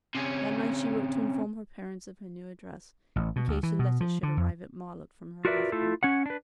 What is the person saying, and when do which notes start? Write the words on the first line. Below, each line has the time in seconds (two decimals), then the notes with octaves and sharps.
That night she wrote to inform her parents of her new address, in case a letter should arrive at Marlott from her husband.
0.15 C3 C#4
3.16 A1
3.36 B2
3.48 D2
3.63 E3
3.79 B2
4.00 F3
4.23 D3
4.37 F2
5.45 F4 F#4 A#4 B4 D5 E5
5.72 A3 E4 F4 A4
6.03 C#4 C#5 F#5
6.26 D4 B4